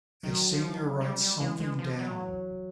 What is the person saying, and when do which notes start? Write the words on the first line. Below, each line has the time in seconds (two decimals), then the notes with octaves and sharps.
A senior writes something down.
0.23 D#3 F#3
0.52 F3
1.01 G3
1.21 G3
1.40 E3 G#3
1.60 G#3
1.79 F3
1.99 F#3